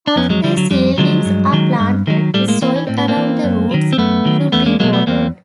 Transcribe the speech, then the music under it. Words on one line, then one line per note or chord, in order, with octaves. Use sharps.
After seedlings are planted, the soil around the roots should be watered.
D4
F2 B3 C#4
F#3 G#3
D3 F3 G3
F#3
F2 G3
D3 F3 F#3 G#3
G2
D#3 F#3
G2
D#3 F#3
A2 G3 A3
G#3 A#3
E3 A#3 C4
C#4
A2 C4
B3
A#3 C4
E3
F#2
D#3 F#3
C4
F#2 A3 B3
D#3 F#3
E2 A3 B3
G#3 A#3
B2 F#3 G#3 A#3
A3 B3
E2 A#3 C4